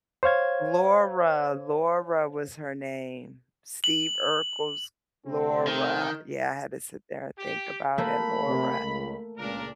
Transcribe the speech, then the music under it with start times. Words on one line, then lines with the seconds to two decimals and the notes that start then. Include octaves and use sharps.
Laura, Laura was her name. Steve Urkel's Laura yeah, I had to sit there and think about it. Laura.
0.23 C5 C#5 F5 G#6
3.84 F#7
5.25 C3 A3 C4
5.67 D#3
7.38 G4
7.98 A3 A#3 B5
8.48 C3
8.81 C#2
9.37 C#2 A#2 D4 A#4